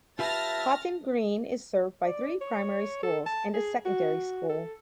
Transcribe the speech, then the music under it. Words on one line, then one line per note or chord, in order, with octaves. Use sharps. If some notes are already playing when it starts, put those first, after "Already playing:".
Haughton Green is served by three primary schools and a secondary school.
F4 G4 B4 E5 A5 F6 A6 A#6
D5
C#5
A4
A5
G#4
F#4
A4